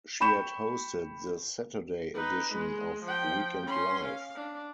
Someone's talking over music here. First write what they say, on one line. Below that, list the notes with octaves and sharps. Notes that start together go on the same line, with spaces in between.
She had hosted the Saturday edition of "Weekend Live".
G5 B5 C#6 G6 E7
D#4 B4
G#3
F3 G5
C#4 C6
F5
D4